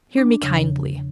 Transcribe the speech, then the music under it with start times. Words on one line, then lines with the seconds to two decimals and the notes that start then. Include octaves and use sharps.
Hear me kindly!
0.18 D4
0.42 E2 C#3 F3